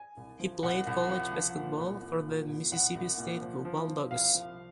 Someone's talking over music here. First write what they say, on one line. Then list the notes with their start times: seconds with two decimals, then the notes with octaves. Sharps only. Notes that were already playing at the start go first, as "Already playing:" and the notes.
He played college basketball for the Mississippi State Bulldogs.
Already playing: G#5
0.17 C2
0.40 F3
0.63 C2 F#5
0.87 C2 F#5
1.09 F3 F#5
1.33 F3
1.56 A#2
1.79 C2
2.03 A#2
2.26 A#2
2.49 C2
2.72 C2 F#5
2.95 C2
3.18 A#2
3.41 F3
3.65 F3
3.88 F3
4.11 C2 F5
4.35 F3